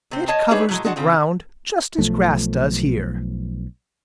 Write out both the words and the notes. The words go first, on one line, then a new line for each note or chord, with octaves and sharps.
It covers the ground just as grass does here.
C3 C4
C#5 D#5 A5
G3 D4 D#4 G#4 B4 C#5
A2 F#3 G#3
G#3 D4 F#4 F#5
C#3 C4 F4
B1 F3 A3